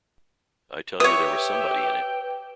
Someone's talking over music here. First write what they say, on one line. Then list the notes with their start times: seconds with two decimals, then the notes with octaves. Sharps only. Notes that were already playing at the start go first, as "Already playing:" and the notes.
I tell you there was somebody in it.
1.00 G4 B4 C#5 E5 G5 D#6